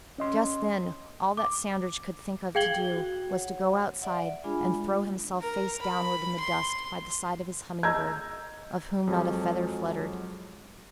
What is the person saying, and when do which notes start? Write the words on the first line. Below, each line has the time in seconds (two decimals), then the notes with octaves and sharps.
Just then all that Sandridge could think of to do was to go outside and throw himself face downward in the dust by the side of his humming-bird, of whom not a feather fluttered.
0.18 C#4 D#5 C6
1.37 D6
2.55 G#4 F5 G5 G#6 F#7 G7
2.92 F#4
3.30 C#5 F#5
4.02 D5 E5 F#5
4.44 G#3 D4 F4 G#4 G#5 B5
5.41 A#4
5.82 B5
6.40 C6
7.83 D#5 A#5 E6 G6 G#6
9.07 F2 F#3 G#3 A5